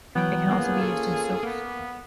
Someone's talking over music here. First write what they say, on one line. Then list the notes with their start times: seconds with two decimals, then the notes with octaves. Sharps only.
It can also be used in soaps.
0.16 E3 F#3 B3 G5
0.51 A#3 C#4 F4 G#4
0.82 A4
1.43 A#3 B3